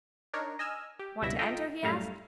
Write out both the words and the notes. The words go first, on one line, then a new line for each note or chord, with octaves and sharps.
"Want to enter?" he asked.
D4 D#4 A#4 C#5
D#5 G#5 E6 F6
G4
C#2 G2 B2 E4 E5 A#6
F4 A4 D#5 E5 G5 A#5
F#2 A2 G3 A3 F5 A#5